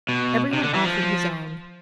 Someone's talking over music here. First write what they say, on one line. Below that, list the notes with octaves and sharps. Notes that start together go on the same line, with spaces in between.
Everyone offered his own.
B2
C3
D3
E3
F3